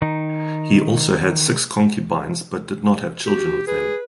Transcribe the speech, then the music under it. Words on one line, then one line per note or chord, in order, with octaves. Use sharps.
He also had six concubines but did not have children with them.
D#3 D#4
F#4 G4
G#4 B4